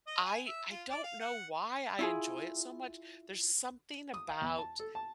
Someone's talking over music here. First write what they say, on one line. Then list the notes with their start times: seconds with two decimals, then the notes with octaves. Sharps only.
I I don't know why I enjoy it so much, there's something about
0.07 D#5
0.24 G#5
0.46 E5
0.71 F4
0.90 D5
1.03 F5
1.20 F#5
1.99 E4 F4 G#4
4.14 D#6
4.28 F5
4.42 E2
4.58 A5
4.80 A4
4.95 A5